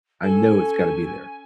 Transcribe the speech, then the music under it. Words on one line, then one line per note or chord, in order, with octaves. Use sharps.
I know it's gotta be there.
C#4 A4 G#5